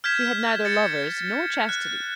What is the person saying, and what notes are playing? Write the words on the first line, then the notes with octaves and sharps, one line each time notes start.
She had neither lovers nor chastity.
F6 G6 G#6 B6 E7
A6 C#7
F#6